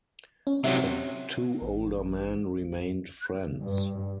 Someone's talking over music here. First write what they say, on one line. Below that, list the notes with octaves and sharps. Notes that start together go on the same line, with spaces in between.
The two older men remained friends.
C#4
C3 F#3 E5
A1
G2